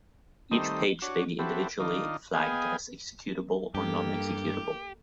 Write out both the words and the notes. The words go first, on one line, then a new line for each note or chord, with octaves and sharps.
Each page may be individually flagged as executable or non-executable.
D#3 G3 A3 C4 D#4
D4 F#4 C#5
C4 E4 F#4 G4 A4 B4
D#3 D4 D#4 F4
B3 G#4 D#5 F5 G5 G#5
G2 A#3 G4 A4